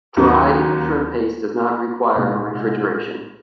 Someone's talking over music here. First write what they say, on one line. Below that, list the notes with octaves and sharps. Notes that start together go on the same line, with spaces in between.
Dried shrimp paste does not require refrigeration.
D#2 D#3 F#3 C#4
C2 A#2 G#3